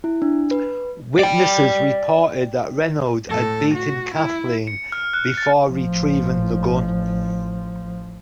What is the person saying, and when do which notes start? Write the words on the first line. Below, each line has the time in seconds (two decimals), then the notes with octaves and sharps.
Witnesses reported that Reynolds had beaten Kathleen before retrieving the gun.
0.04 E4
0.22 D4
0.51 B4
1.19 D5 G5
3.28 A2 A4
3.74 F#4
4.14 E4
4.67 C#7
4.92 F6
5.13 F#6
5.37 A6
5.69 A1 F3